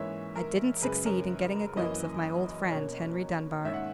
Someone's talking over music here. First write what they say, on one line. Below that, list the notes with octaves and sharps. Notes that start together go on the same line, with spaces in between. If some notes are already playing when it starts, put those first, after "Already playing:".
"I didn't succeed in getting a glimpse of my old friend Henry Dunbar."
Already playing: G#2 E3 A#3 C#4 C#5 E5
A#4
F#2 C#3 G#3 G#4 B4
A#4 C#5
F#2 E3 A#3 C#4 B4 D#5
B2 A#3 C#4 A#4 C#5
G#2 D#3 A#3 C#4 E5
F#5